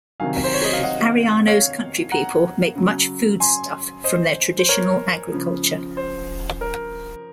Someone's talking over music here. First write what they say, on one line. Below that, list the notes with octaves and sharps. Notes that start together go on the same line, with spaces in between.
Ariano's countrypeople make much foodstuff from their traditional agriculture.
C3 D#3 F#3 F5 G#5
C5
C#5
D#5
F5
D#5 F#5
C#5 F5
F#5 A#5
C#3 F#3
G#5 C6
C5 D#5
C5
A#4 C#5
C#3 F3
C5
A#4